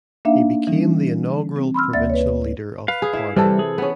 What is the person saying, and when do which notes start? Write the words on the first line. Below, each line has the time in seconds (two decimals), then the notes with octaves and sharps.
He became the inaugural provincial leader of the party.
0.25 A#3 D4 D#4 E5 F5
0.67 E3 G3 C#4 D#4
1.56 C4
1.74 B5 C6 E6 F6
1.93 D2 A#3 D5 E5 A6
2.10 B4 C#5
2.88 B4 F5
3.02 G#4
3.13 E4 E5
3.36 C3 E3 G3 A4
3.59 G#4
3.78 B3 C#4